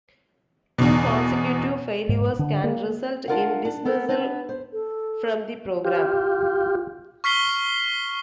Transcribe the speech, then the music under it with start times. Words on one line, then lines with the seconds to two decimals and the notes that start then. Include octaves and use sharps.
Two consecutive failures can result in dismissal from the program.
0.78 E2 B2
2.09 G#2
2.39 D3
2.64 A#3
3.28 D4 D#4 F4 A#4 F5 F#5
3.65 D4
3.85 B3 A4 A#4
4.09 B3 D4 B4
4.49 C5
4.72 A4
5.85 F4 G4
7.24 C#6 F6 B6 C7 G7